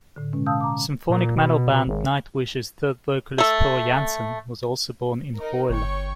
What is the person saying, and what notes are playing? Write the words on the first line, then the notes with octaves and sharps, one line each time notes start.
Symphonic metal band Nightwish's third vocalist Floor Jansen was also born in Goirle.
A2 D3
B2 G#3 C#4
F5 A5 D#6 E6 G6
A#5 D6
A#2
B2
B2
G#1
A3 A4
D#4 A#4
G1 C#5 G5 C#6